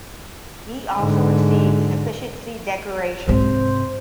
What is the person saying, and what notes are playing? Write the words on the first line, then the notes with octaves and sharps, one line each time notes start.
He also received an Efficiency Decoration.
G#2 D3
G#2 C3 C5